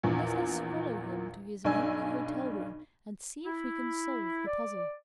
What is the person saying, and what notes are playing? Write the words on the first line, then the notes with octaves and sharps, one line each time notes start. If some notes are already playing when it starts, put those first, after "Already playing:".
Let us follow him to his lonely hotel-room and see if we can solve the puzzle.
A#1 E2 A#2
B1 G2 D5 G#5 E6
E4
D5